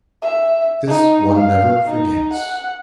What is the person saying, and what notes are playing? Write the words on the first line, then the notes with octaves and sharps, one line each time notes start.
"This one never forgets!"
E5
D#4
F5
D#4
F#5